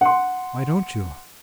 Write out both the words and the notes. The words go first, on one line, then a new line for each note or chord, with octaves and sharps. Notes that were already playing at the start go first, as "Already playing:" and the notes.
"Why don't you?"
F#5 C6